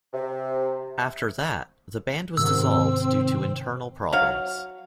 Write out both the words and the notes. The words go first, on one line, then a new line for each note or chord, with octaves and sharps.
After that, the band was dissolved due to internal problems.
C3
G#2 C3 D#3 C4 E6
F#3 F5